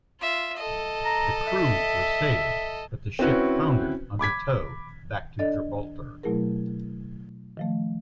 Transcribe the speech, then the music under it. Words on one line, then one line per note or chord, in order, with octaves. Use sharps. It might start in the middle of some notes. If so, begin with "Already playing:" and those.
The crew were saved, but the ship foundered under tow back to Gibraltar.
F4 E5
A4 D#5
A#5
E5
C4 C#4 E4 F#4 B4 C#5
B5 D6 G#6 B6
D4 A4 D5 D#5 A6
B2 F#3 A3 E4 G#4 A#4
D#3 F3 A3